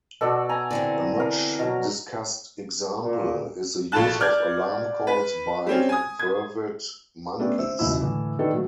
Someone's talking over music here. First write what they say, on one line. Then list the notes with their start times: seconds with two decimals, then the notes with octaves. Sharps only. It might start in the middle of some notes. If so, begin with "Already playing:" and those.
A much discussed example is the use of alarm calls by vervet monkeys.
0.21 B2 F#4 A4 D5
0.49 G#5 A#5
0.71 D3 E3 C4
1.20 A#4
1.59 B2 F#3
3.03 A#2
3.92 A#1 F4 A4 A5 F#6
4.20 D5 F6 G6 G#6
5.07 B4
5.67 G3 C4 C#4
5.89 G#5 D#6
6.19 G#6
7.39 G3 A3 B3 C#4 D4 G4
7.58 C5 E5 E6
7.79 E1 C#2 A#2 F#3 E4 E6
8.00 A2 D3 E3
8.39 D#3 D4 G4 A4 B4
8.52 A#2 F#3 A3